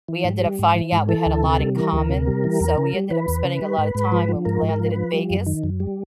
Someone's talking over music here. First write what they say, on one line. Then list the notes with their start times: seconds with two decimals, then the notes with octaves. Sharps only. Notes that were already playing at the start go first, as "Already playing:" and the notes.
we ended up finding out we had a lot in common, so we ended up spending a lot of time when we landed in Vegas,
0.08 E3
0.24 G#2
0.41 G3
0.59 G#2
0.75 E3
0.92 G#2
1.09 E3 A4
1.26 D2
1.43 C3
1.59 G3
1.76 E3 A#4
1.93 D2
2.09 C3
2.27 G3
2.44 E3
2.61 E2
2.78 C#3
2.94 G3
3.11 E3 B4
3.28 E2
3.44 C#3
3.62 G3
3.78 G#2
3.95 G#2
4.12 F3
4.29 F3
4.45 G#2 A#4
4.62 G#2
4.69 A#4
4.80 F3
4.91 F3 B4
5.13 G3
5.30 F#2
5.47 D#3
5.64 F#2
5.80 G3